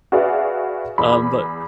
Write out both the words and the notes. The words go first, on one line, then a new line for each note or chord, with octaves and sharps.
um, but
F#4 G#4 B4 D5 E5 F5
E2 B5